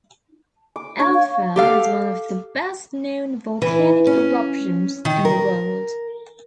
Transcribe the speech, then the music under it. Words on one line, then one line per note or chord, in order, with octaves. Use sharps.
Eldfell is one of the best known volcanic eruptions in the world.
D6
D4 C#5
F5
G4 A4 F5
E3
C#4
D#3
A#4